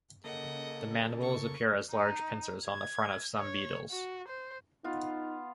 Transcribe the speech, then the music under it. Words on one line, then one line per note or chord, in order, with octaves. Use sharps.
The mandibles appear as large pincers on the front of some beetles.
C#3 A#3 A4 D#5 F#5
C#6
D#4
G#6
C#5
F#4
C5
B3 D#4 F4